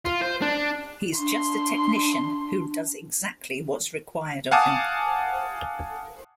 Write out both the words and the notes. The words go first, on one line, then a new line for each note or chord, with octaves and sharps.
He's just a technician who does exactly what's required of him.
F4
C5
D4
D4 C6
F5 F#5 G#5 A5 D6 D#6